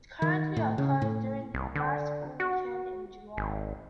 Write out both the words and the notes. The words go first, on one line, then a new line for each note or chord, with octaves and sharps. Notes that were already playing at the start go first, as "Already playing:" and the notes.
It currently occurs during the last full weekend in July.
D#3
A2
C#3
A2
C2
D3
F#4
G#1